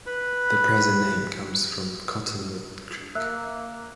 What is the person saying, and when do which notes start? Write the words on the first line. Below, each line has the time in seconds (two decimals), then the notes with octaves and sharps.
The present name comes from Cottonwood Creek.
0.06 B4 B5
3.15 A#3 E5 E6 F#6